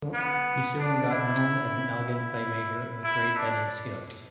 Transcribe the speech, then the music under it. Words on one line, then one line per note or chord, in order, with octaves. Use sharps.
He soon got known as an elegant playmaker with great heading skills.
B3
D4
E4
E4
E4
D4